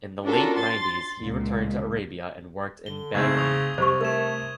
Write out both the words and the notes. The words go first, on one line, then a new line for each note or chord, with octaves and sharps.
In the late nineties he returned to Arabia and worked in Bahrain.
C#4 D4 F4 F#4 A4 A#4
C6 A6
C#2 A#2
D3 G7
G#2 C#3 A3 C4 C#6 G#6
C#6 D#6 F7
C2 G3 C5 C#6
A3 A#4 C#6 G#6 E7